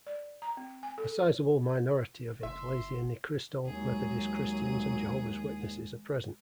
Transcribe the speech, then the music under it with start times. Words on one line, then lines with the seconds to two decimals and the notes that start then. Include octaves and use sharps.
A sizeable minority of Iglesia ni Cristo, Methodist Christians, and Jehovah's Witnesses are present.
0.06 D5
0.42 A#5
0.57 C4
0.83 G#5
0.98 A4
2.43 F#1 E5 C6
3.66 D#2 F#3 G#3 G#4